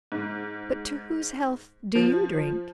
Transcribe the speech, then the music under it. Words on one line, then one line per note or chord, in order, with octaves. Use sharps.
But to whose health do you drink?'
G#2
F3